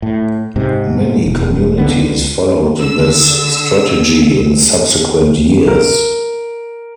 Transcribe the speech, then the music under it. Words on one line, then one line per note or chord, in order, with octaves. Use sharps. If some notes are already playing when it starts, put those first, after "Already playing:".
Many communities followed this strategy in subsequent years.
A2
G#2 C3
E1
C#2 D3 B3
D3 E6
A#4